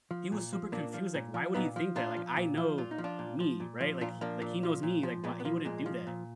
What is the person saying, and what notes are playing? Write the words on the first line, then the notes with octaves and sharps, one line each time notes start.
he was super confused, like, "Why would he think that? Like, I know" me, right? Like, h he knows me. Like, "Why he wouldn't do that.
F3
A#2
F3
A#2 A#3 D4
F3
A#2
F3
A#2 B3 D#4
F3
A#2 D4 F4
F3
A#2
F3
A#2 F4
D#4
F3
D4 F4
A#2
F3
A#2
F3
A#2 D4 F4
F3 A#3 D4
A#2
F3
A#2
F3
A#2 G#3 B3
B3
F3 A#3
A#2 G#3
F3
A#2